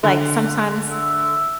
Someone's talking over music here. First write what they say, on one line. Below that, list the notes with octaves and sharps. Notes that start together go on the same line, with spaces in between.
like sometimes
D3
E5